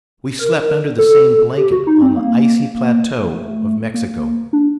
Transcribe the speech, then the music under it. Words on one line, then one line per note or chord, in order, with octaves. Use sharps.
We slept under the same blanket on the icy plateaux of Mexico.
A#4
A4
G4
F#4
D#4
C4
A#3
A3
A#3
D4